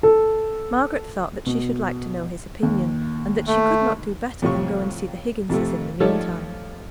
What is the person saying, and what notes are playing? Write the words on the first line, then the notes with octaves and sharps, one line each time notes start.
Margaret thought that she should like to know his opinion, and that she could not do better than go and see the Higginses in the meantime.
A4
B2
D#2
A3
F2 A2 C3 C#6
F2 C3 A3
F3 G3 A3 D#4 A4 C#5